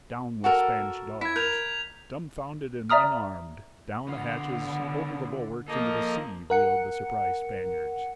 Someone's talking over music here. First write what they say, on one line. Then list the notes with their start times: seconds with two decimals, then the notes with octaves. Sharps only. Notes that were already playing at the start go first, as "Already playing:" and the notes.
Down with Spanish dogs!' Dumbfounded and unarmed, down the hatches, over the bulwarks into the sea, reeled the surprised Spaniards.
0.44 F#4 A4 A#4
1.21 E4 G#6 B6
1.36 A#4 G6 F7
2.90 D5 E5 A#5 D#6 F6
4.08 D3 B3 F4
5.68 F3 A#3 A4 D#5
6.50 A#4 F#5 C#7